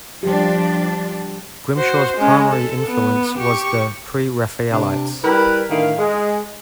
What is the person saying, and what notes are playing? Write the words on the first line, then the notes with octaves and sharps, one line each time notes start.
Grimshaw's primary influence was the Pre-Raphaelites.
F3 G3 D4 G4
F#4 C5
G#3 C#4
A4
B3
G4 C#6
C3 D4
G3 E4 A#4 B4
A2 D3 D#3 E4 F5
G#3